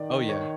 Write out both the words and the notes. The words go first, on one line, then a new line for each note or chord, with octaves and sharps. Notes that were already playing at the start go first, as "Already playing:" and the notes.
Oh, yeah.
Already playing: D#3 D5
C#5